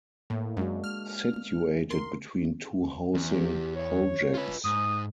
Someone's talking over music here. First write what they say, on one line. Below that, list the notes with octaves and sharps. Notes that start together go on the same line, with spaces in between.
Situated between two housing projects.
A2 A#3
F#2 G#3 D4 F#4
G#3 F6
A#4 C6
E2
G4
C#5
F4 B4
G#2 D#6